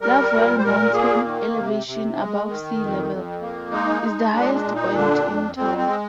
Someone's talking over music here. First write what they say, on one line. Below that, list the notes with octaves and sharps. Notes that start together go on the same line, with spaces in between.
Lovewell Mountain, elevation above sea level, is the highest point in town.
G3 A#4
A#2
C5
A#2 A#4
A#3 G#4
D#3
C3
C3
G#3
D#3
F2
F2
A#3
G#3 D#4
G#3
A#2 D4
D4
A#2
D#4
D3 D4
F2
F2 C4
C4
G#3